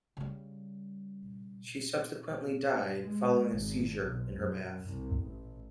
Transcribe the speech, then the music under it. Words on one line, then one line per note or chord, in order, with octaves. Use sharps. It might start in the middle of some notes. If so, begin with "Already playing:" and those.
She subsequently died following a seizure in her bath.
C#3 G3
G#3
G#1
B1
F#2
C2
A1